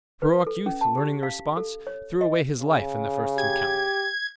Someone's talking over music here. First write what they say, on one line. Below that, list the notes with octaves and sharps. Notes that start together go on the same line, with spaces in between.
The heroic youth, learning the response, threw away his life in the first encounter.
B4
A4
C#4
A5
G4
F5
A4
C#5
D#5
C#3
G4 G#6